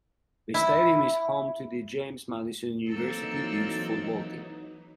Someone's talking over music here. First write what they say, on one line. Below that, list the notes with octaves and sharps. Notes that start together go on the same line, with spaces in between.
The stadium is home to the James Madison University Dukes football team.
E4
E3 F#3 A#3 C4 D#4 A4